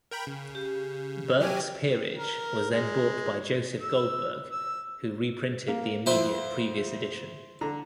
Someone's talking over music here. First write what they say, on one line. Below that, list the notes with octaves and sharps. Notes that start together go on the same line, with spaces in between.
"Burke's Peerage" was then bought by Joseph Goldberg, who reprinted the immediate previous edition.
A#4 G5 B5
C#3
G4
F#3 G4 G5 G#5
A#4
G#3
E6
E6
A#3
F2 E4 C5 E5
D3 A#5